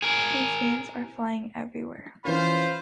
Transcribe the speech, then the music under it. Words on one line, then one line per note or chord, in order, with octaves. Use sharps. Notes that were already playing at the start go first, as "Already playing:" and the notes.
His hands are flying everywhere.
G#4 A#4
E3 C#4 F4 C5 B5